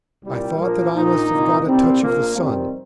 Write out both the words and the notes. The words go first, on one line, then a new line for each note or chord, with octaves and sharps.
I thought that I must have got a touch of the sun.
C2 A#2 G3
A#1 A#2 F3 A#3
A#1 A#2 A#3 D#4
C2 A#2
C2 A#2 G3 C4
A#1 A#2 F3 A#3
F2 C3 D#3 G3 C4